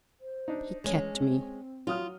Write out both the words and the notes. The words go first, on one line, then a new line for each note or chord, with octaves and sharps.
"He kept me."
C5
D4 D#4
E3 G#3 C#4
C4
F#3 F4 D#6 F6